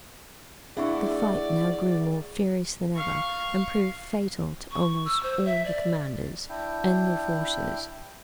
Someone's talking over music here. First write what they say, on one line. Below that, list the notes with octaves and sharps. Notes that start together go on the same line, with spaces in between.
The fight now grew more furious than ever, and proved fatal to almost all the commanders and their forces....
D2 C4 D4 E4 G#4 D5 F#5 C#6
F5 C#6
C#6
E6
C5
E5
D5
D4 E4 G5